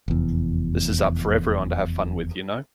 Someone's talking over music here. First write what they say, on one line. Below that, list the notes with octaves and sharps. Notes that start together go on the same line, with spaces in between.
This is up for everyone to have fun with, you know?
F1 E2